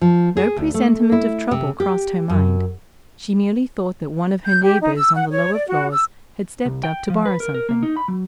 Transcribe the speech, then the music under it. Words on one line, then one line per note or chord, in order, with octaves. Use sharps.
No presentiment of trouble crossed her mind; she merely thought that one of her neighbors on the lower floors had stepped up to borrow something.
F3
G#4
D2
A3
E4
C3
G4
F#2
G6
G4
D#4
E6
F#5
C#5
D5
F#4
E6
C2
G5
F3
B4
A#4
A#4
A#3
D#4
B5
F#3